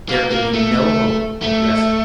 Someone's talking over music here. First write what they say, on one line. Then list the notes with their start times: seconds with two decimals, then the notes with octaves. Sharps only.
There could be no hope of rescue.
0.09 A#3
0.30 A#3
0.53 A3
1.42 A3